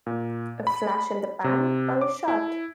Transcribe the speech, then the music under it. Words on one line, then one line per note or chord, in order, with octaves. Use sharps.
A flash in the pan or a shot?
A#2
B5
C3
D6
E4